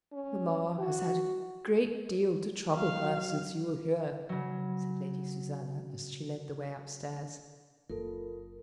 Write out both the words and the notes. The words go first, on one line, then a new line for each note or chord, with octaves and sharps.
"Mamma has had a great deal to trouble her since you were here," said Lady Susanna, as she led the way upstairs.
C#4
F#4
F#3 F5
C#3 F#3
F#1 F4 A4 A#4